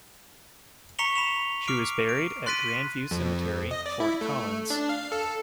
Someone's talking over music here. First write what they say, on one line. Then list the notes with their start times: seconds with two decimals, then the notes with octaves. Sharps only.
She was buried at Grandview Cemetery, Fort Collins.
0.99 A#5 C#6 B6 C#7 F7 G7
1.16 B5 E7 F7
1.67 D6 F6 C7 D7
2.09 D7
2.46 C6 F#6 A6 B6 D7 D#7
3.11 F2
3.71 D#5
3.86 D5
4.00 E4
4.21 A3
4.70 D4
4.89 F5
5.12 A4